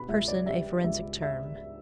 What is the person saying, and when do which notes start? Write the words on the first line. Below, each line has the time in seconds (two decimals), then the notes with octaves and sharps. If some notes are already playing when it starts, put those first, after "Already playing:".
Person a forensic Term.
Already playing: B2 B4 B5
0.09 C#2 E5
0.28 D5
0.46 G3 E5
0.84 C#2 E5
1.22 E5